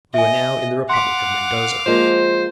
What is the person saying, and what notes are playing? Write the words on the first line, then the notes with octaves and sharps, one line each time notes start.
We were now in the republic of Mendoza.
D#5 E5 G#5
F5 F#5 C6 D6 B6
F3 G#3 A#3 C5